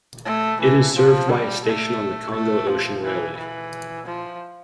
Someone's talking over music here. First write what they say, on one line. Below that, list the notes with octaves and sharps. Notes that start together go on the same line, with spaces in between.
It is served by a station on the Congo-Ocean Railway.
A3
E3
F3
G3
A3
A3
F3
E3
E3
F3